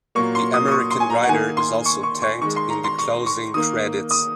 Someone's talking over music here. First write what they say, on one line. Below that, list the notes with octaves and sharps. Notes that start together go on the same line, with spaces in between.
The American writer is also thanked in the closing credits.
A#2 F#3 A#3 C#6
C6
D#6
D#6
C#6
C6
G#5
A#5
F#5
D#3 A#3 G#5
C6
C#6
C#6
C#6
D#3 G#3 C#6
C6
A#5
C6
C#6
C#6
D#3 A#3 D#6
D#6